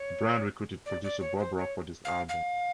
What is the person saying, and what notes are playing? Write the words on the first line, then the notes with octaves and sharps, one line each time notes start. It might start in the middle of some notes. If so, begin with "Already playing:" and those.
Bryan recruited producer Bob Rock for this album.
Already playing: C#5
D5
D5
C#5
C5
C#5
F5
F5